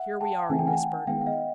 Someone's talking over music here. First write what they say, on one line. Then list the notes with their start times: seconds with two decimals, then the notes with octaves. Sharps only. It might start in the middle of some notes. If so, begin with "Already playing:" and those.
"Here we are," he whispered.
Already playing: E5 F#5
0.20 G5 A5
0.49 C#3 E3 A3 C4 G#5
0.59 G5
0.67 F#5 G#5
1.07 D#3 G#3 B3 F5 G5
1.21 F#5
1.27 D#5 F5